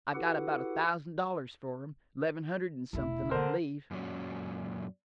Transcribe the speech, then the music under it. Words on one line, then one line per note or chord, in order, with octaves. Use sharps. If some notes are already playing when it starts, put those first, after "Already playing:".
"I got about a thousand dollars for them--eleven hundred and something, I believe."
E4 F#4 G4 A4 B4 F#5
E1 D2 E4
D3 A#4 C5
F#2 A#2 F#3 C#4